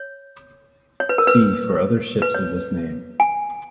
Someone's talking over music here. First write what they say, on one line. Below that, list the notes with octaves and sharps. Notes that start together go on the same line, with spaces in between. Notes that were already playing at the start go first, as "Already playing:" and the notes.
See for other ships of this name.
Already playing: C#5
C#5
B4
A#4
B4
B4
C#5
G#5